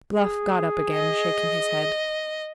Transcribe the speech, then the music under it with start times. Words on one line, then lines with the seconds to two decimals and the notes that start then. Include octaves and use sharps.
Bluff got up again, shaking his head.
0.13 G#4
0.94 D#5